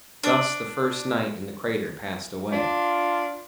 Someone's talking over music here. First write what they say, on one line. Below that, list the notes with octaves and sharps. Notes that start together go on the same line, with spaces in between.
Thus the first night in the crater passed away.
D4
D4 F4